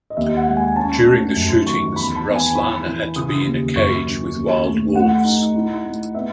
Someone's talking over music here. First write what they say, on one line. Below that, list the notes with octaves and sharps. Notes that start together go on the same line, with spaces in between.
During the shootings, Ruslana had to be in a cage with wild wolves.
D#5
D#2 E5
F#5
G#3
G#5
C#4 A5
A3
F#2
D#3 C#6
E2 B5
A5
E2
G#5
E3 B5
E3
C#3 D#6
D#2
F#2 C#6
C#4
D#2
A3
A3 F#5
D#4
E4
A3
B3 E5